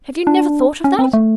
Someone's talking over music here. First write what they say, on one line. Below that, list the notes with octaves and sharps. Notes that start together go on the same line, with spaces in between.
Have you never thought of that?'
D4
C#4
C4
A3